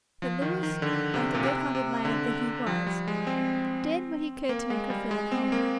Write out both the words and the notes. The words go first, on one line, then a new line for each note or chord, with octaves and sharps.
But Louis, like the good-hearted lad that he was, did what he could to make her feel at home.
F3
D#3
D#3
D3
C3
A#2
C3
C3
D3
F3
G3
G#3
C4
A#3
G#3
G3
G#3
C4
A#3